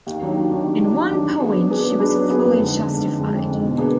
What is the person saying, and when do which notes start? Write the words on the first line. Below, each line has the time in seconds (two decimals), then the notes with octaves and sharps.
In one point she was fully justified.
0.07 D#2
0.22 D#3 F#3 D4
0.36 D#2
0.51 D#3 F#3 D4
0.66 D#2
0.81 D#3 F#3 D4
0.96 D#2
1.11 D#3 F#3 D4
1.26 F#3
1.41 B3 D4 G#4 B4
1.55 F#3
1.70 B3 D4 G#4 B4
1.85 F#3
2.00 B3 D4 G#4 B4
2.15 F#3
2.29 B3 D4 G#4 B4
2.44 F2
2.60 D3 G#3
2.74 F2
2.89 D3 G#3
3.04 F2
3.18 D3 G#3
3.34 F2
3.49 D3 G#3
3.63 B2
3.78 A#3 D4 G#4 B4